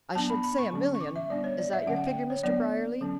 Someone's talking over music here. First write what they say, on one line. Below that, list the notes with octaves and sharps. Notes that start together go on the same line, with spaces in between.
"I should say a million; is that your figure Mr. Brierly."
F#3 B3 D4 A5
B5
B5
C#6
D3 F#3 C#4
C#6
D6
E5
G3 B3 D4 D5
C#5
D5
E5
D3 F#3 C#4 F#5
F#5
G5
C#5
F#3 B3 D4 D5
D3 F#3 C#4